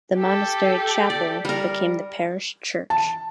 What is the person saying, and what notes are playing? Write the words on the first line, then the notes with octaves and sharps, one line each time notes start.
The monastery chapel became the parish church.
G4 A4
D5
G3 A#4
A5